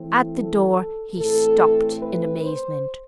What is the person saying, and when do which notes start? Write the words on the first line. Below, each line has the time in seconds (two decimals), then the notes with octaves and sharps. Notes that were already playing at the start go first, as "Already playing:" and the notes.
At the door he stopped in amazement.
Already playing: E3 A3 C4
0.35 A4
1.18 A2 E3 A3 C4 A4
2.02 B4
2.44 C5